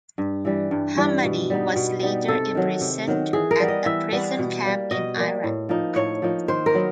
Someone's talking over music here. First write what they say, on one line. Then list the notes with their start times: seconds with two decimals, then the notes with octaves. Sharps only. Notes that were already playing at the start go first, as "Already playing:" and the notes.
Hammadi was later imprisoned at a prison camp in Iraq.
0.18 G2
0.45 E3 G3
0.71 G2
0.97 E3 G3
1.24 B2
1.50 G3 B3 D#4
1.76 B2
2.02 G3 B3 D#4
2.28 C3 A4
2.55 D#3 F#3
2.81 C3
3.07 D#3 F#3
3.33 E3 G#4
3.51 A#4
3.60 G3 B3
3.68 D#5
3.86 E3 E5
4.12 G3 B3
4.39 B2
4.65 G3 A#3
4.91 B2 D#5
5.17 G3 A#3
5.44 A2
5.69 F3 A#3 D#4
5.96 A2 C#5
6.22 F3 A#3 D#4
6.48 D#3 C5
6.66 A#4
6.74 F#3 B3